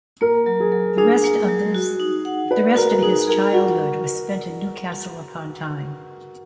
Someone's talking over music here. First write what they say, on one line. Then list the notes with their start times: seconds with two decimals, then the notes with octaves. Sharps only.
The rest of his childhood was spent in Newcastle upon Tyne.
0.21 A#3 A#4
0.46 F#3
0.60 G#4
0.72 F#3
0.97 D4 G#4
1.24 A#3
1.48 F#3
1.75 F#4
2.00 D#4
2.25 F#5
2.51 B4 D5
2.76 F#4 A#4
3.02 D#4 G#4
3.27 G#4 A#4
3.53 F4 F#4